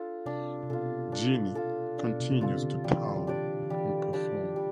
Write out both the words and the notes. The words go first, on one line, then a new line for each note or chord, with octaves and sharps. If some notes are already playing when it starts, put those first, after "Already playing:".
Jeannie continues to tour and perform.
Already playing: D4 F4 A4
C3 D4
C3
B2 F4 A4
D4
F4 A4
D4
B2
C3
C3
D3 F4 A4
D3
E3 G3
D4 G4 D5
D3
E3 G3
D4 G4 D5
G3